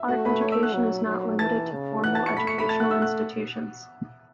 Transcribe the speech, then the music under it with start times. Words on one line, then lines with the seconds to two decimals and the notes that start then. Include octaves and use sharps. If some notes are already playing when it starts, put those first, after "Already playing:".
Art education is not limited to formal educational institutions.
Already playing: E5
0.08 A3 F#4 F#5
0.25 B4 B5
0.41 C#5 C#6
0.52 E5 E6
0.63 F#5 F#6
0.74 F#3
1.06 F#3
1.39 E3 A5 A6
1.72 C#3
2.04 E3 F#5 F#6
2.15 A5 A6
2.26 C#6 C#7
2.37 A3 B5 B6
2.47 C#6 C#7
2.58 B5 B6
2.69 A5 A6
2.80 F#5 F#6
2.91 E5 E6
3.02 F#5 F#6